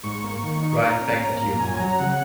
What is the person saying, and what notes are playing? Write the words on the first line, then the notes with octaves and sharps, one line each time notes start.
Right back at you.
G#2 C#6
A#3
D#3
D#4
A#2 A#5
C#4
A#3
A#2
F#2 G#5
F#3 A#5
C#3 F#5